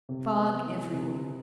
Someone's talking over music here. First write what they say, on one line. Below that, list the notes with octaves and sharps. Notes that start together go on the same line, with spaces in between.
Fog everywhere.
C3
B3
E3
C3